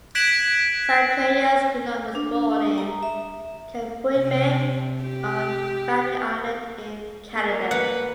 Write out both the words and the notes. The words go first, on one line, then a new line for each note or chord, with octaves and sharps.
Zacharias Kunuk was born in Kapuivik on Baffin Island in Canada.
F#6 G#6 B6 D7 E7 F#7
D4
D#6
A#5
E5
C3
G4
A#3
B4 F#5